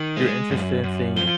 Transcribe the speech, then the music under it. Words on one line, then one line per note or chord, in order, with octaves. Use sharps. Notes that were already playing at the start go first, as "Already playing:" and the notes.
you're interested in seeing
Already playing: D#3 F#7
G#3
F#2
F#2
F3 G7